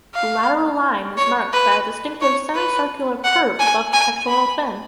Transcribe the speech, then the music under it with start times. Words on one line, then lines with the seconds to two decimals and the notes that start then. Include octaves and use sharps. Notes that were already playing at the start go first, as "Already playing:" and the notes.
The lateral line is marked by a distinctive semi-circular curve above the pectoral fin.
0.15 F5
1.18 C#5
1.53 B4
2.22 C#5
2.55 B4
3.25 F#5
3.59 G#5
3.93 G#5
4.28 B5